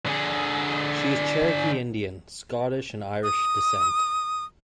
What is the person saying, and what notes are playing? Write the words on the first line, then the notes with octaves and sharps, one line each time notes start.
She is of Cherokee Indian, Scottish and Irish descent.
D3 G#4
D#6